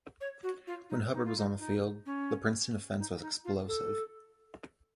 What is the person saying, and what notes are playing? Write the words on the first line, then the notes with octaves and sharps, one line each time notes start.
When Hubbard was on the field, the Princeton offense was explosive.
C#5
F#4
F4
D#4
D#4
F4
D#4
D#4
C#4
D#4
D#4
F4
A4